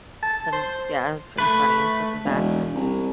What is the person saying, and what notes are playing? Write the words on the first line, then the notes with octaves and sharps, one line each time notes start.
then it's, yeah. It was pretty funny looking back. But
A5
C5
A3 B4
E1
C2